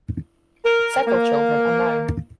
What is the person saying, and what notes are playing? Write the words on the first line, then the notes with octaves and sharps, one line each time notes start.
Several children are known.
A#4
A#3